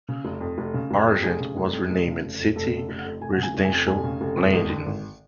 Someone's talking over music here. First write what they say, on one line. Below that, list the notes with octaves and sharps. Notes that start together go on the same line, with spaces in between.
Argent was renamed Citi Residential Lending.
C#3
F1
F2
F1
C#3
F1
F2
F1 G#4
C#3
F1
F2
F1
C#3
F1
F2
F1 A4
C#3
A4
F1
F#5
F2
F1 G#5
F#5
C#3
G#5
F1
G#5
F2
F1 G#5
C#3
F1
F2
G#1
D3
G#1